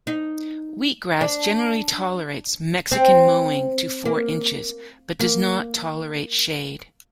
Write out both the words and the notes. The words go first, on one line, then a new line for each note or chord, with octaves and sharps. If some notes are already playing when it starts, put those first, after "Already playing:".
Wheatgrass generally tolerates Mexican mowing to four inches, but does not tolerate shade.
D#4
D4
C4
A#3
A#3